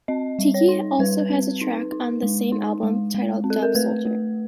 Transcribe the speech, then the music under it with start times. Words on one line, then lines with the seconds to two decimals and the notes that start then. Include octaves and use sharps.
Tiki also has a track on the same album titled Dub Soldier.
0.08 C4 D#5
0.39 G3
0.54 C#5
0.68 D#4
0.99 G3 B4
1.30 C4
1.61 D#4
1.92 D#4
2.23 G#3
2.52 D#4
2.83 G#3
3.14 G#3
3.44 C4
3.50 A4
3.63 A#4
3.75 A3 B4
4.06 A3